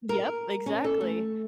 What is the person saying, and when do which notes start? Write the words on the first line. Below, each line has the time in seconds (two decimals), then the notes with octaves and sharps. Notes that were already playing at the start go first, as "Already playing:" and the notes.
Yep, exactly,
0.09 A#4
0.66 C#4
0.84 A4
1.01 A3